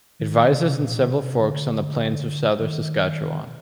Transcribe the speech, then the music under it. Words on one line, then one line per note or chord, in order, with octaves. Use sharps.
It rises in several forks on the plains of southern Saskatchewan.
D#3
C3
A#2
D3
C3
D3
D#3